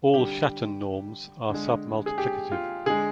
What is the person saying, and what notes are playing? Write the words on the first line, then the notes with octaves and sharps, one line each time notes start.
All Schatten norms are sub-multiplicative.
D3 G3 G4
D3 G#3
G#4
G4
F4
D3 G#3 G#4